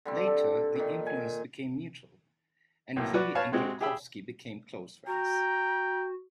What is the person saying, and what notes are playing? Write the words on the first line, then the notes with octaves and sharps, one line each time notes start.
Later the influence became mutual, and he and Tarkovsky became close friends.
D3 G3 C4
A4
A#2 D#3
G#5
B1 A2 A#3
F#4 B4 D5
B4 C#5 F5 A5
C3 G#3 C4 F#4
G4 G#4 E5 G5 B5 E6
F#4 G5 A#5